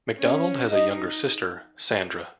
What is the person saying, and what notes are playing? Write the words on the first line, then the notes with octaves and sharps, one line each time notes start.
McDonald has a younger sister, Sandra.
C#4
D#4 D#5